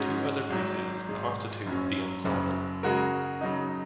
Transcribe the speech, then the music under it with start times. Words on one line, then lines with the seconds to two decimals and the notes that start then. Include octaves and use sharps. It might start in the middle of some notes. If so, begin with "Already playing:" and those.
Two other pieces constitute the "Ensemble".
Already playing: G#2 G#3 C#4 F#4
0.50 G#1 G#2 F#3
1.08 G#1 G#2 G#3
1.66 F#1 F#2 F#3 C#4
2.24 F#1 F#2 C#3
2.83 C#3 G#3 F#4 A#4
3.41 C#3 F#3 D#4